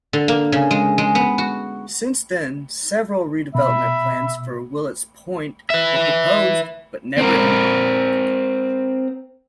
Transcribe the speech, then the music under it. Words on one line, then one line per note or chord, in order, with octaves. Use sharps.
Since then, several redevelopment plans for Willets Point were proposed, but never implemented.
D3
A#3
C#3
G#3
G#3
B3
F#4
B2 E5 B5
B4 E5
C4 A#4